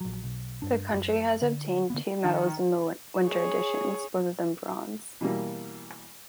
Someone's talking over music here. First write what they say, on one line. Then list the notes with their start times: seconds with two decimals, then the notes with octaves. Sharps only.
The country has obtained two medals in the winter editions, both of them bronze.
0.01 A#1 F#3
0.24 B1
0.62 G2 D4
0.94 F#2
1.42 D3
1.90 D3 A#3 B3
2.24 D#3
3.26 G#4 C#5
5.21 B2 E3 G3 A#3